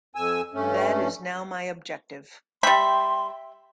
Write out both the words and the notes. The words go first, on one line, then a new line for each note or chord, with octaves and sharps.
That is now my objective.
F2 G#5 E6
G2 A3 C#4
G3 E5 G5 B5 C6